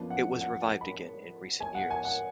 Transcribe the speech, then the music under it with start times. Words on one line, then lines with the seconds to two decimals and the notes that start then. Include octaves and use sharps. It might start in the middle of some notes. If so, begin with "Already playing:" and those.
It was revived again in recent years.
Already playing: F#2 F3 B3 D4 A5
0.10 F#5
0.41 F#5
0.61 A5
0.81 B5
1.60 G#5
1.75 F#5
1.90 G#5
2.05 F#5